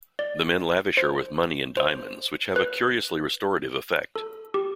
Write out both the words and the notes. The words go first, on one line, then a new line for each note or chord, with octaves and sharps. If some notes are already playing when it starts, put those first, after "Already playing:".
The men lavish her with money and diamonds, which have a curiously restorative effect.
D5
C5
C5
B4
A4
G4